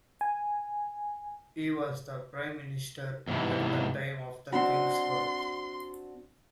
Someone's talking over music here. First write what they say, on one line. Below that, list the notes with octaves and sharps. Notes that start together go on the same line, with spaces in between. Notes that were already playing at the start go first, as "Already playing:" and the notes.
He was Prime Minister at the time of the King's birth.
G#5
E2 G#2 C3 E3
C4 D4 F#4 C6